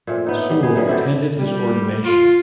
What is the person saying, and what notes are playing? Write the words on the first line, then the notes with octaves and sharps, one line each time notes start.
Sewall attended his ordination.
A#2 A3 C4
A2 B3 D#4
G3
B3 D#4 G#4
D3 F#3 G3 A3
C3 E4 G4 A4
G3
F4